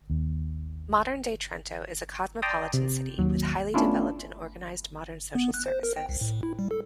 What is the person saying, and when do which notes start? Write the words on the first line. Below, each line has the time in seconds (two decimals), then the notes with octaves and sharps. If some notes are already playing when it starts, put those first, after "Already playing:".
Modern-day Trento is a cosmopolitan city, with highly developed and organized modern social services.
0.10 D#2
2.42 D5 G5 A5 A#5 C6 D#6
2.73 C3
3.18 D#2 F#3
3.74 A3 B3 C#4 D4 E4 F4
5.35 B3
5.54 F#6
5.66 C5
5.83 A#4
5.96 G5
6.09 C2
6.21 A2
6.43 E4
6.59 G3
6.71 A4